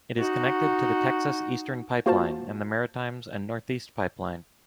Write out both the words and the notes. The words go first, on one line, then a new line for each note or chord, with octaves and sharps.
It is connected to the Texas Eastern Pipeline and the Maritimes and Northeast Pipeline.
D#4 F#4
A#3 F4 F#4 C5 F5 A5